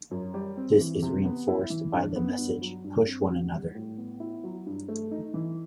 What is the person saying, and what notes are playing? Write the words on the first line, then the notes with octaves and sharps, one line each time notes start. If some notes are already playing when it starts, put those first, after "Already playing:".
This is reinforced by the message Push One Another!
F#2
G3
C4
E3
C3
B3
E4
E3
G2
B3
G2
F#3
G2
C4
F#4
G3
A2
B3
E4
F#3
G2
A3
D#4
E3